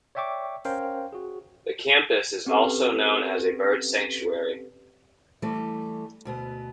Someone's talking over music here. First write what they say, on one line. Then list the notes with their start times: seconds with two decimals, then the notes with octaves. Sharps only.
The campus is also known as a bird sanctuary.
0.15 C#5 D5 E5 G5 C#6 D6
0.65 C#4 A#4 C5 C#5 F5 G5
1.12 F#4 G#4
2.46 C4 C#4 G4 A4 B4
5.42 E3 G3 A3
6.25 D2 B2 B3